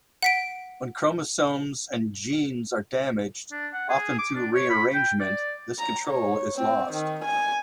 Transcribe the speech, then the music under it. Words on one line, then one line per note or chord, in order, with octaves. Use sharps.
When chromosomes and genes are damaged, often through rearrangement, this control is lost.
F#5 B6 D7
D4
F#5
G#4
D6
D4
C#5
B5
G5
D5
A#5
C#5
C4
D#3
G#5